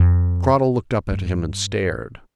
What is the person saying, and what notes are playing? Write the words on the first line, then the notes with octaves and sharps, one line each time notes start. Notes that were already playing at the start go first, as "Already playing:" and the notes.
Cradell looked up at him and stared.
Already playing: F2
G2